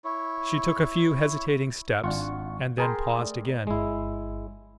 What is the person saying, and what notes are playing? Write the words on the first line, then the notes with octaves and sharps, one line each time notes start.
She took a few hesitating steps and then paused again.
E4 C#5
G#1 D4 F4 F#5 C#6
G#4 A#4 G5 A5 B5 C6
A3 D5
G1 G#3 E4